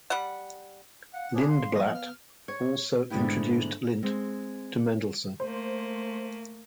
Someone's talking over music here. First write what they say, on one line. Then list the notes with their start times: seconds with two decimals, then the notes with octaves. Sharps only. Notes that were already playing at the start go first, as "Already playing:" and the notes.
Lindblad also introduced Lind to Mendelssohn.
0.10 G3 F#5
1.13 F5 F#5
1.34 D4 G#4 C5
1.48 F5 C6
1.75 F3 A#3 D#5
1.95 B3 F6
2.48 C#5
3.10 G#2 D3 A3 B3 E4 G4
4.03 G#3 C4
5.40 A3 A#3 C5